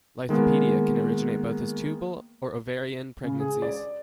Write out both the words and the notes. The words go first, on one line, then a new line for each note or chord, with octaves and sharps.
Lithopedia can originate both as tubal or ovarian pregnancies.
D#3 G#3 A#3 B3
C#3
G#4
D5